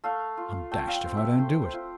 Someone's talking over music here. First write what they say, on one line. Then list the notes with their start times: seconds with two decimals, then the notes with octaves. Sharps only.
'I'm dashed if I don't do it.
0.04 A3 F5
0.37 F4
0.72 A3 G5
0.88 F5
0.94 G5
1.05 C4
1.17 E5
1.38 A3 C5
1.62 C5
1.73 F4